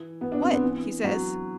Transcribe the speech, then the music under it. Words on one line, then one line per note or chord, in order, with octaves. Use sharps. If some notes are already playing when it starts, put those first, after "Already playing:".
"What?" he says.
Already playing: E3
B3
D4
C4
B3
E3
F#3